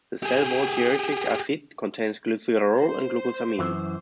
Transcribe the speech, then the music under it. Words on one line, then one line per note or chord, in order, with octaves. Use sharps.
The cell wall teichoic acid contains glycerol and glucosamine.
G4 G#4
C5
F#2 E3